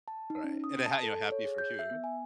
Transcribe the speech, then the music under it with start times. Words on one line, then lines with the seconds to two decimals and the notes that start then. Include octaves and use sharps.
Right, and, uh, how you know, happy for who?
0.08 A5
0.30 D#4
0.44 C#4
0.64 D#6
0.86 A5
1.03 A4
1.32 C#5
1.45 G#4
1.58 G6
1.79 E5
1.91 B3
2.04 G#5